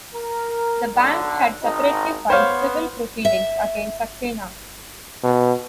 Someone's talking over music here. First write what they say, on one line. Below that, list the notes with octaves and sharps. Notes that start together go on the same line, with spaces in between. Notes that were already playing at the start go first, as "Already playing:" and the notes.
The bank had separately filed civil proceedings against Saxena.
A#4
B1 D3
G#1 D#4
B3 C5 C#5 F5
E5
B2